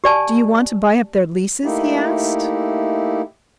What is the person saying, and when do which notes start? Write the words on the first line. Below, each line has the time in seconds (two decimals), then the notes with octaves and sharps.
"Do you want to buy up their leases?" he asked.
0.04 G4 D5 G#5 A5
1.64 A3 A#3 D#4 E4 G4